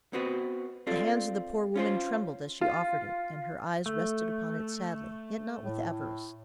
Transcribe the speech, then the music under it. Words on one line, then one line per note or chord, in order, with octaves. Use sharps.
The hands of the poor woman trembled as she offered it, and her eyes rested upon it sadly, yet not with avarice.
B3 C4 F#4 B4
C4 F4 A4 D5
C#4 F4 C5
F4
A3
A2